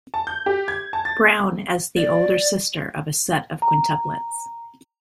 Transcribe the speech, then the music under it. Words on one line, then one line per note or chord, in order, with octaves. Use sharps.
Brown as the older sister of a set of quintuplets.
A5
G6
G4
G#6
A5
A6
D5
A#5